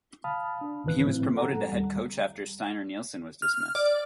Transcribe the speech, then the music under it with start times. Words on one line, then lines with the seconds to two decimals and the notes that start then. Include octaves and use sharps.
He was promoted to head coach after Steinar Nilsen was dismissed.
0.24 F5 A5 B5 D#6 F6
0.61 D4
0.84 C2 G#2 D#3 E3 B4 F#6
1.05 A2 F3 C4 E4
1.35 A4 F#5 A#5
1.68 D#2 G3
3.42 F6
3.75 D5